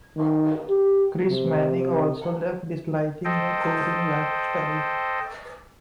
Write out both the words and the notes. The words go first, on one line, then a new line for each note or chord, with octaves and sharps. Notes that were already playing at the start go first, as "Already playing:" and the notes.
Chris Manning also left, disliking the touring lifestyle.
D#3
G4
C3
A4 C5 D#5 G5